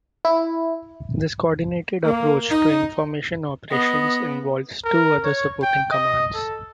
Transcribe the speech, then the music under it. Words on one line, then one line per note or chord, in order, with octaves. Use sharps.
This coordinated approach to information operations involves two other supporting commands.
E4
A#3
D#4
B3 D#5
A#4
C#5
G5
D#5
A4